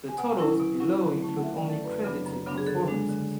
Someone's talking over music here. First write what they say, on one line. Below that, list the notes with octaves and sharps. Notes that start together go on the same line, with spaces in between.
The totals below include only credited performances.
G#5
B2 F#5
F#3 C#4 E4
B2
F#3 C#4 E4
D3
A3 C#4
F#5
D3 E5
D5
A3 C#4
A4
F#2 B4
C#3 F#3 B3 D4
F#2
C#3 F#3 B3 D4
G#4
D3 A4
G#3 D4
D3